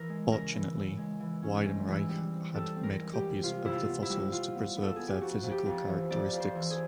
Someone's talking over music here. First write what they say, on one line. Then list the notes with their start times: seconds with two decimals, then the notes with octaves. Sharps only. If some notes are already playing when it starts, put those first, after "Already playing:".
Fortunately, Weidenreich had made copies of the fossils to preserve their physical characteristics.
Already playing: E3 A#4
0.09 G#3
0.31 C#3 A#4
0.54 E3
0.76 C#3
0.97 G#3
1.20 E3
1.42 C#4
1.65 G#2
1.87 E3
2.09 G3
2.31 C4
2.53 G3 A4
2.76 C4
2.83 A#4
2.99 G#2
3.13 G4
3.20 G3
3.43 C3 F4
3.65 C3 E4
3.72 F4
3.88 B3
4.02 E4
4.09 G3
4.32 G3 F4
4.55 B3
4.76 B3
4.82 A4
4.96 B3 G#4
5.08 G4
5.21 F2 F#4
5.43 F2
5.51 G4
5.65 F2
5.88 E3
6.10 F2 D5
6.33 F2
6.40 C5
6.55 E3
6.70 G#4